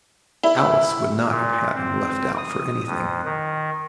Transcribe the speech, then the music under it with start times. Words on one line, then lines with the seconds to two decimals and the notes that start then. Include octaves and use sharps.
Alice would not have had him left out for anything.
0.43 E4
1.29 A#2
1.75 C4
2.38 D#6
2.86 F2
3.25 D#3